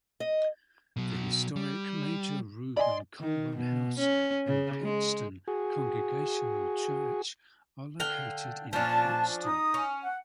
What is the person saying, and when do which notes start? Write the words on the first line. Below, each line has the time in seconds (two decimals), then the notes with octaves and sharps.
The historic Major Reuben Colburn House and Pittston Congregational Church are located in Pittston.
0.20 D#5
0.97 B2 F#3
1.56 G3
2.77 D5 D#5 G#5 B5 C6
3.20 D#3
3.56 B2
3.99 C#4
4.47 C#3
4.82 G#3
5.48 F#4 G#4
8.00 D3 F5 G5
8.73 A#2 F3 A#3 C#4 D4 A5
9.44 D#4 D#6
9.74 C#4
10.04 F#5